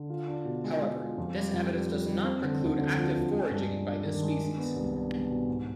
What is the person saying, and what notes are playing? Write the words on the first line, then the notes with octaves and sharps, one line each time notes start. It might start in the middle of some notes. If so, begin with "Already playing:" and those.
However, this evidence does not preclude active foraging by this species.
Already playing: D3
F4
D4
B2
G#3
G#3
F4
F2
G3
F2
G3
G3
G3
C4
D3
D2
D3
F3
D2
G#3
G2
D4
D4
D#3
G#3
D4
B3
C2
D4
B3
B2
G#2